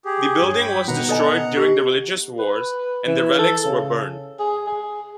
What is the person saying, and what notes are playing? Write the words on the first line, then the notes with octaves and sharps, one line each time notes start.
The building was destroyed during the religious wars and the relics were burned.
G4 G#4
G2 C#5 G#6
G5 B5
B2 D#3 B3 F#5 A#5
A4 D#5 G#5
G4
B4
E3
A4
C#3
G#4
G#4